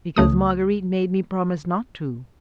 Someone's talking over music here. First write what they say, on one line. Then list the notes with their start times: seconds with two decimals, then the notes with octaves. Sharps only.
"Because Marguerite made me promise not to."
0.16 C#2 C#3 A3 D#6